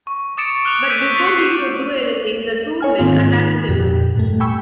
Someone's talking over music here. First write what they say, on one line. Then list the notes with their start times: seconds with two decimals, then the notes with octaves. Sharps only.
But before he could do anything the two men attacked him.
0.07 C#6
0.37 D6 D#6 A6 C#7 D7 E7
0.65 F6 F#6 D7 F7
0.89 E6 F#6 G6 B6 D#7 E7
1.15 C#6 A6 B6 C#7 F7
1.27 C7
2.81 C#5 G#5 F6
2.99 G#2 D#3 A#3 C4 D#4 F4
3.69 F2 A#2 G4
4.16 G2 A#2 A3
4.40 G5 G#5 B5 C#6 E6